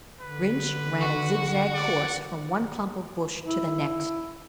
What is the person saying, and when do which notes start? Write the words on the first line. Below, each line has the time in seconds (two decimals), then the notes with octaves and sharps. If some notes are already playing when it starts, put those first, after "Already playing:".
Rynch ran a zigzag course from one clump of bush to the next.
0.21 D3 B4
1.01 F#4 F#5
1.73 D5
3.44 E4